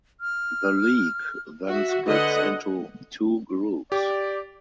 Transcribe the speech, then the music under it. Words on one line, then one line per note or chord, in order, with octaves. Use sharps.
The league then splits into two groups.
F6
F#4 E5
D3 B4 D#5 F#5
G4 D5